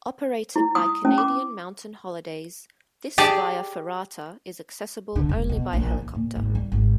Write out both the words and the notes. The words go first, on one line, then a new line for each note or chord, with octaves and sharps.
Operated by Canadian Mountain Holidays, this via ferrata is accessible only by helicopter.
E4
D#6
C#4
D6
G4 G#4 D5 G#5 A5
D3
E1
B2
A#1
E2
A#2
G#1
G3
G#1